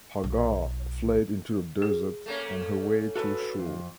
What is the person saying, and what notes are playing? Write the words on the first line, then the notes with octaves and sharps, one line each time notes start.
Hagar fled into the desert on her way to Shur.
B1
G#4
A3 A#3 C#4
F#4 A4 B4
F2